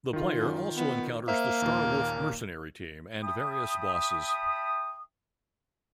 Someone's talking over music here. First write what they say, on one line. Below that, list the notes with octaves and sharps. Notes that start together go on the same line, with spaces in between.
The player also encounters the Star Wolf mercenary team and various bosses.
D#3 F4
F#2
B3
A#3 C5 E5
D#2 A#2
E5 G5 A5 B5 D#6